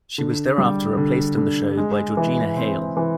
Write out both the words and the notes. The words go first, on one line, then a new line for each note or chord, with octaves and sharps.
She was thereafter replaced in the show by Georgina Hale.
D3
G3
D3
D3
G#3
E3
C4
E3